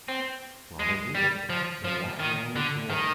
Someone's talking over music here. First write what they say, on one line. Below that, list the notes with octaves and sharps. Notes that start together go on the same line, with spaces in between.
While they ate it, they walked along the shore.
C4
G#3
G3
F3
F3
D#3
D3
D#3